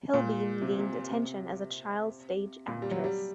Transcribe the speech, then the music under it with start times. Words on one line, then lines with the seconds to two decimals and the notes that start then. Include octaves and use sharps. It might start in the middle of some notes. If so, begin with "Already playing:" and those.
Pilbeam gained attention as a child stage actress.
0.14 A#2
0.61 C3
0.78 C3
1.10 C3
2.68 A#2
2.82 G3
2.91 F#3
3.04 G3